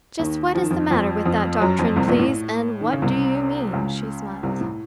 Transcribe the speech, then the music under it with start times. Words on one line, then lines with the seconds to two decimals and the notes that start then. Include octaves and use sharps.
"Just what is the matter with that doctrine, please, and what do you mean?" she smiled.
0.19 D#2 D#3
0.55 F3
0.63 D#3
0.70 F2 F3
0.90 F2 F3
1.25 F2 F3
1.61 F#2 F#3
1.79 F2 F3
1.96 C2 C3
2.07 A#1 A#2
2.19 A2
2.81 D#3
2.92 C#3
3.02 C2 C3
3.73 C#2 C#3
4.43 C2 C3
4.61 A2